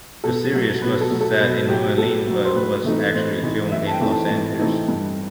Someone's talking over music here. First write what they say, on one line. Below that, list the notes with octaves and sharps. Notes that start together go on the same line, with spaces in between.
The series was set in New Orleans, but was actually filmed in Los Angeles.
B2 A4
F#3 A3
B2 B4
A4
F#3 A3
A4
B2 B4
F#3 A3 G4
B2 A4
F#3 A3
C5
A2 B4
E3 A3 C4 D#4
A2 C5
E3 A3 C4 D#4
A2 E5
A5
G5
E3 A3 C4 D#4
A5
A2
E3 A3 C4 D#4
G2